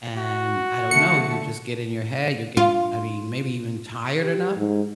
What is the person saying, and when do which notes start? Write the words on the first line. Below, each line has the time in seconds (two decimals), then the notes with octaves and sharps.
and I don't know, you'll just get in your head. You'll get I mean, maybe even tired enough,
0.17 F#4
0.91 D3 A3 A5 C#7
2.57 F4
4.21 G4
4.56 G#2